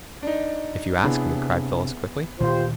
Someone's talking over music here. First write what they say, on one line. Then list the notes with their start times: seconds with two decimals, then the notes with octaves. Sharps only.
"If you ask me," cried Phyllis quickly.
0.22 D4 D#4
1.04 C3 B3 D4 E4 G#4
2.40 D2 A#2 D#3 F4 G4 C5